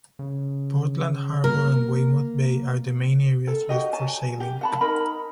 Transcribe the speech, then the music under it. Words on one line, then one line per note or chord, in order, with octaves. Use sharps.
Portland Harbour and Weymouth Bay are the main areas used for sailing.
C#3
A#3 A#4
A4
F#4 G4 D#5
C#5 G#5 A5
G4
F#5 A5 B5
D#4 A#4 B5